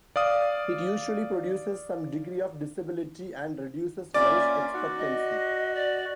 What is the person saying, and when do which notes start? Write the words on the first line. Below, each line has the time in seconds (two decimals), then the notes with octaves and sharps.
It usually produces some degree of disability and reduces life expectancy.
0.16 D5 F5 D#6
4.14 A#3 C#4 F4 D5 E5
4.74 D#4 F#4
4.97 D#5
5.74 D5